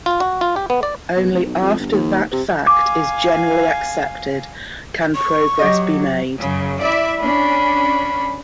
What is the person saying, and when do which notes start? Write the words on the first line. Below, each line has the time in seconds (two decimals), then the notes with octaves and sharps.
Only after that fact is generally accepted can progress be made.
0.06 F4
0.20 F#4
0.41 F4
0.56 G4
0.70 B3
0.83 D5
1.16 B2
1.32 F1
1.45 B1
1.61 F2
1.79 G1
1.92 D#2
2.32 C3
2.67 F5 G#5 D6
5.15 C#6
5.59 F#3 G4 D#5
6.41 F#2 C#3 F#3
6.80 E4 D5 E5
7.20 C#4 D4 B5